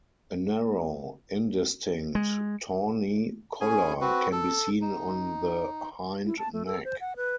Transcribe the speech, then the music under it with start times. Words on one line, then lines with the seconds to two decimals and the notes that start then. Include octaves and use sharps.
A narrow, indistinct tawny collar can be seen on the hindneck.
2.15 G#3
3.61 C#4 G#4 G#5
4.01 C4 F#4 B4
4.32 A4
4.81 D#4
6.25 E4
6.39 A5
6.53 A3
6.66 A4
6.84 C5
7.01 F#5
7.16 B4